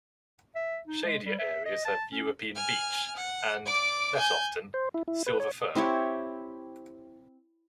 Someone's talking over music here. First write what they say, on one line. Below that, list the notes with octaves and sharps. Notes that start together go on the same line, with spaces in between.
Shadier areas have European beech and, less often, silver fir.
E5
D#4
G#3
G3
E5
D#5
A5
C#4
G#5 F6
F#5
D5 D6
G#5 G6
C5
E4
E4
B4
C#5
C4 E4 G4 C#5